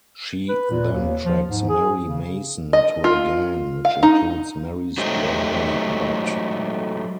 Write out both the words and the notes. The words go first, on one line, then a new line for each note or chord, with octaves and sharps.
She then tracks Mary Mason to a gang, which includes Mary's brother, Bud.
B4
A#2
D#2
F3
G#2
G#4
C#3
D#5
F4
F5
D#4
F#3 G#3 A3 D#4 G4 C5